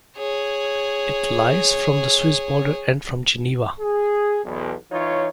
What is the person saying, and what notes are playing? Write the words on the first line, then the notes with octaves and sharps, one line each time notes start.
It lies from the Swiss border and from Geneva.
G#4 C#5
G#4
B1 E2
E3 D#4 F4 C#5